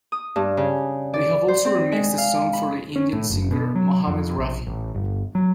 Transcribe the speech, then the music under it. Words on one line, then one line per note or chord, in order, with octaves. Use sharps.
They have also remixed a song for the Indian singer Mohammed Rafi.
D#6
G2
C#3
D5
C5
C4
G#3
F5
B5
C#4
A2
F#1
B2
F#3
F2
A#1
A1
G1
F#3